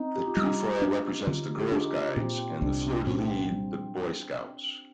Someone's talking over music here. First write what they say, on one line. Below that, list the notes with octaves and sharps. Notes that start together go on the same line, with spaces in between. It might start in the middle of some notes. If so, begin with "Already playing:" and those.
The trefoil represents the Girl Guides and the fleur-de-lis the Boy Scouts.
Already playing: C4 D#4
G4
F4
G3 D#4
D4
D3 F4
G4
F4
D4 D#4
A#2 C4
C2 D4
A#2 C4
G3